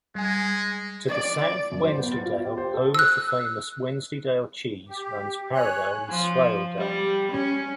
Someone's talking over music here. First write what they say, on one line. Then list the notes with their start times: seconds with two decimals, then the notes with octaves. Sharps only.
To the south, Wensleydale, home of the famous Wensleydale cheese, runs parallel with Swaledale.
0.15 G3 G#3 G#5
1.08 D5
1.72 F#2
1.85 C5
1.99 B3
2.12 A6
2.25 F4
2.45 G4
2.58 C5
2.74 A4
2.94 E6 F#6
4.87 G4
5.55 C#5 G#5 F#6
6.09 F3
6.77 G3
7.31 C#4